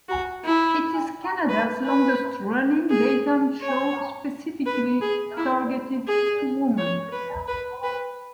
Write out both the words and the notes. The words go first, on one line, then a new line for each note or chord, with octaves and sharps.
It is Canada's longest running, daytime show specifically targeted to women.
F#4
E4
B4
B4
G#4
C#5
B4
G#4
E4
G#4
C#5
B4
B4
B4